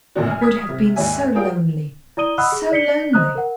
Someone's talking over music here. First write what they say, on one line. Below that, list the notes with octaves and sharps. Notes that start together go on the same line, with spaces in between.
It would have been so lonely, so lonely!
F#2 A#2 D3 D#3 D4 F#4
G#5 F6
D#6 G#6 B6
C3
D#2 G#2 G3 D5 E5 G#5
F4 G#4 A#4 D5 G5 D#6
E4 D5 A#5 D#6 D#7 G7
D#5 F#5 B5 D#6 E6 F#6
G#4
D5 B6 C#7 G7
C5 D#5 A#5 D#6 F#6
A#4 F#5